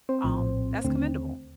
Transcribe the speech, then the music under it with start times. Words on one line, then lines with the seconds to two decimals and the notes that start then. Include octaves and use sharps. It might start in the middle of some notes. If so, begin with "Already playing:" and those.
um, that's commendable
0.09 C4 C5
0.24 A#1 A2 F3
0.84 D#2 D3 A3 C4